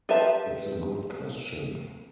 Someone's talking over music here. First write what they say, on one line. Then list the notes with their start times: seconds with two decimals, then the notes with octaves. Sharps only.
It's a good question.
0.09 F4 G4 B4 E5 A5